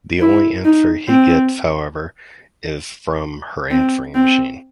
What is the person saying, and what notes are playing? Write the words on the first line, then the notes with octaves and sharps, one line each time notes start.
The only answer he gets, however, is from her answering machine.
E4
D#4
C4
C4
C4